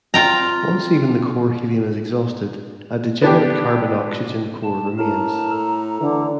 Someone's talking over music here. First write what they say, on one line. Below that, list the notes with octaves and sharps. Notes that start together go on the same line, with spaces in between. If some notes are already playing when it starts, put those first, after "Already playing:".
Once even the core helium is exhausted, a degenerate carbon-oxygen core remains.
F4 G5 A#5
B3 D4 G4
A5
A2 A#4 A5 A#5
A4
D3 E3